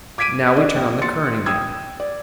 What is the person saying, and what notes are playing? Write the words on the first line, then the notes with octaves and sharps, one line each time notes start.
Now we turn on the current again.
D6 G#6 B6 D7 D#7
D4 D#5
A#1
C6 A6 C#7
G5 D#6 E6 G#6
D5